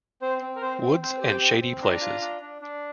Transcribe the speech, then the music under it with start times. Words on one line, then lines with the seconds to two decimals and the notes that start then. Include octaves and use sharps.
Woods and shady places.
0.22 C4 C5
0.42 C4
0.56 A#4
0.62 C4 C5
0.81 C4
1.02 C4 C5
1.21 G4
1.28 G5
1.42 C4
1.61 C4
1.82 D4 A#5
2.01 F4
2.21 D4
2.41 D4
2.62 D4